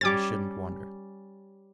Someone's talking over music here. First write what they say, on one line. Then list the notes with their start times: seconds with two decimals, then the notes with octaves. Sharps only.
I shouldn't wonder!
0.01 G3 C#4 C#5 D6 A6